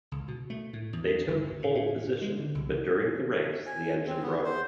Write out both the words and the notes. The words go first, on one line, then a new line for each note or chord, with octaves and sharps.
They took pole position, but during the race, the engine broke.
C#2
B2
A3
A2
E2
G1
D2
A2
A2
G#3
D3
C2
G#5
C4
B3
C5